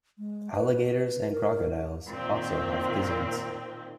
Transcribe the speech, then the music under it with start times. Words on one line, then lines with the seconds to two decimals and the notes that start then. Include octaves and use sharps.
Alligators and crocodiles also have gizzards.
0.18 G#3
0.55 B4
0.88 B4
1.31 A#4
2.09 A#2 D#3 C4